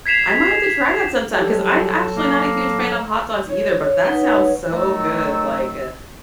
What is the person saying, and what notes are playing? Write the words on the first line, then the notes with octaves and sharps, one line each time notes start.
I might have to try that sometime, 'cause I actually not a huge fan of hot dogs either, but that sounds so good, like, uh,
G#6 B6 C7 E7 F7
F#3 G3 A4 A5
A#3
C#5
D#4 B4 F#5
D#3 F#3 A3 E6